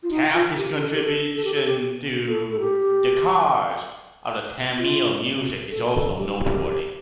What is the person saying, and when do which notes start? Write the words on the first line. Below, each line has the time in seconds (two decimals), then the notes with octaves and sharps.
Kalki's contribution to the cause of Tamil music is also noteworthy.
0.03 F4
0.11 D#4
0.34 F4
0.57 G4
0.81 A4
0.94 G4
1.04 A4
1.35 A4
1.45 G4
1.54 A4
1.66 G4
2.28 A4
2.51 A4
2.59 G4
4.78 F4
5.71 A4
5.94 A4
6.18 G4
6.41 G4